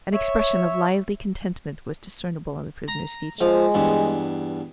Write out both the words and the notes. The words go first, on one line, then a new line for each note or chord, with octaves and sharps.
An expression of lively contentment was discernible on the prisoner's features.
C#5 E5
A#5
F3 G#3
E2 G2